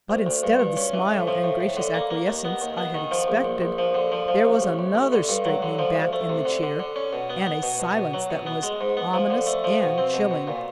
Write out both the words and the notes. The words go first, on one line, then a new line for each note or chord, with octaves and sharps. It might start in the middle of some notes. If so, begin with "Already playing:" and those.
But instead of the smile and gracious acquiescence I had expected, there was another straightening back in the chair, and a silence that was ominous and chilling.
D2
D2
G2
G2
C#4
E3
A2
F3
A2
A2
D3
A#3
A#3
D#2
B3
D#2
B3
D#3
F3
A#1
A#1
A#1
F3
D3
F3
F3
A1
A1
A1
A1
D3
G2
F#3
D3
F3
D2
A3
C3
D3
D3
D3
C#4
B2
B3
B3
B2
B2
B2
F#3
B2
B3
G#3
G#2
B3
F3
D3
A3
F3
B2
C4
B2
B2
A#2